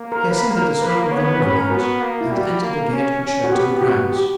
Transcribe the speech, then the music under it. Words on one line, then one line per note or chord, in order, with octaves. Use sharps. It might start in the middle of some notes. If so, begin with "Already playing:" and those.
He ascended the slope of the moorland, and entered the gate which led to the grounds.
Already playing: A#3
A#4
B4
A#4
B4
B3 C#5
B4
C#4 B4
A#4
B3 F#4
A#3
E4
G3 F#4
A#3
C#4
C#4
F#4
B3 G4
G4
B3 F#4
G4